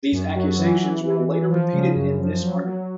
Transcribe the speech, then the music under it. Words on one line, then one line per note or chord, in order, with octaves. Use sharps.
These accusations were later repeated in this article.
F#2
F#3
E3
E3
E3
E3
F3
C#3
F#2
F3
F#3
F#3